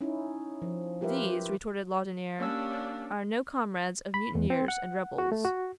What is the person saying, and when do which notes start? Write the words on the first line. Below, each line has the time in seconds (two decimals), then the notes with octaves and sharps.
"These," retorted Laudonniere, "are no comrades of mutineers and rebels."
0.01 C#4 D#4 E4
0.62 F3
1.01 F4 G4 A#4 B4 E5
2.39 A#3 C#4 D4 G4 E6
4.14 B5
4.35 E2
4.50 C4
4.68 F#5
5.18 F#4
5.32 A3
5.45 F#4